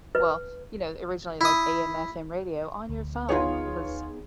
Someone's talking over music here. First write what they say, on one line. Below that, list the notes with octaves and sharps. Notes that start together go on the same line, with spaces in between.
well, you know, originally like AM/FM radio on your phone was
B4
E4 D#6
D2
B3 D#4 F4 G#4 C#5